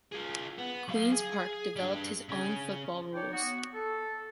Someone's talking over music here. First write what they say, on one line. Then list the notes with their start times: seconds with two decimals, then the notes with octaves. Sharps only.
Queen’s Park developed his own football rules.
0.12 F4 G#4
0.58 B3
0.89 F#3 F5
1.12 G#4
1.76 G3 D4
2.29 C#3 C#4
3.14 D#4 C#5 D5 G5
3.33 B3 F#4
3.75 A4